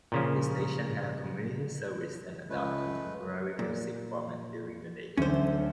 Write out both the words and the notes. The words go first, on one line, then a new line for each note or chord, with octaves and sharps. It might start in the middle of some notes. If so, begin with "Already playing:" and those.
The station had a community service and adult contemporary music format during the day.
A#2 C#3 F3
C#2 G#3 A3 B4
A#2
D2 F#3 C#4 C5